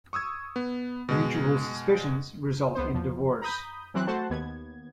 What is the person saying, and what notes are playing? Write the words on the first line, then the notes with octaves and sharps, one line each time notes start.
Mutual suspicions result in divorce.
C#6 D#6 E6 G#6
B3
B2 G#3
C#2 B3 C5
E2 F3
A#5 B5 D#6 G6
E3 F#3 C4 F#6
A3 F#4 C5 F#5 A5
D#2 B3 G#6